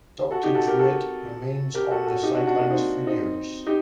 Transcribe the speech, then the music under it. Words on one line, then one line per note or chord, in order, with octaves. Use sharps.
Doctor Druid remained on the sidelines for years.
F#4 A4
D#4 G4
F#4 A4
G4 A#4
F#4 A4
G4 A#4
F#4 A4
F#4 A4
D#4 G4
D4 F#4
D4 F#4
A#3 D4
C4 D#4
C4 D#4
D#4 G4